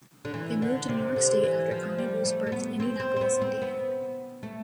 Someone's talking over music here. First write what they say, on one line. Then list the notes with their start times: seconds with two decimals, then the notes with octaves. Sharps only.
They moved to New York state after Connie Booth's birth in Indianapolis, Indiana.
0.25 D3
0.34 E3
0.62 D3
0.88 C3
1.16 D3
1.43 E3
1.71 F3
1.98 G3
2.25 A3
2.47 A3
2.52 B3
2.80 C4
3.00 C4
3.16 C4
3.21 B3
3.42 C4
3.62 B3
4.43 A3